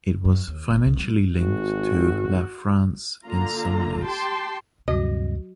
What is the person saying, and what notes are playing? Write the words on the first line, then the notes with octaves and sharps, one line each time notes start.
It was financially linked to La France insoumise.
F#2
D#2
E1
C2
G3
G#1 F#4
D3 A#3 F4 A#5
G4 G5 A5 C6
D2 G2 C3 F#3 F#4 D#5